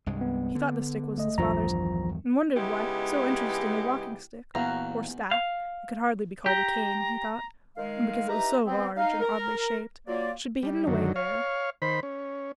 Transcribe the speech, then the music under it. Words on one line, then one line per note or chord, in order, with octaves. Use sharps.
He thought the stick was his father's and wondered why so interesting a walking stick--or staff; it could hardly be called a cane, he thought, because it was so large and oddly shaped--should be hidden away there.
C2 G2 G#3
B3
D3
G#1 A3 D#5
A#1 E2 G2 D#3 F3 A#5
C#3 G#3 B3 D#4 E4 G4
E2 A#2 E3 F#4 F5 A#5
F5
G4 A#5
D#3 G#3 F5
D#4 E4 G4 B4 A#5
B3 C4
D#4 F5
A#4
F#3 A#3 F4 D5
G3
F#2 D3 D#3 F#3
C#5 F5
D#3 C5 B5
C#4